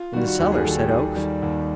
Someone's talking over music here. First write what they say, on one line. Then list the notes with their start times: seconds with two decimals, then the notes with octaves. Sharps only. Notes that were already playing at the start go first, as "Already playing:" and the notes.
"In the cellar," said Oakes.
Already playing: F4
0.13 D#3 G3 F#4
0.28 F#4
0.39 D#2 G4
0.52 G#4
0.65 D#3 G3 A4
0.77 G4
0.91 D#2 G#4
1.16 D#3 G3
1.42 D#2